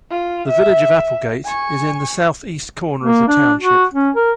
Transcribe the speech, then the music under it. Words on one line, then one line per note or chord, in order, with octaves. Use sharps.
The village of Applegate is in the southeast corner of the township.
F4
E5
G#5 C#6
A#3
D4
F#4
C#4
A#4